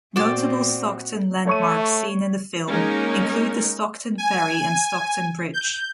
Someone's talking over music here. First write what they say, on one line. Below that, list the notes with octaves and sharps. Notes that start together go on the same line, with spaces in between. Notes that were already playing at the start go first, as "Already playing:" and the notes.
Notable Stockton landmarks seen in the film include the Stockton Ferry and Stockton Bridge.
A#2 C4 F#4 C5 D5 G5
A3 C#5 C#6 D#7
G#3 A#3 C#4 D#4 A#4
G#5
G6